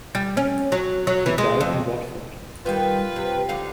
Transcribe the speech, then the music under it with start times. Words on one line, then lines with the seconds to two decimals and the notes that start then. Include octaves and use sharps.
He died in Watford.
0.15 G3
0.37 C#4
0.72 F#3
1.07 F#3
1.26 E3
1.38 G#3
1.61 F2
2.66 D#3 G3 F4 B4
3.16 C3
3.49 D3 D#4 F5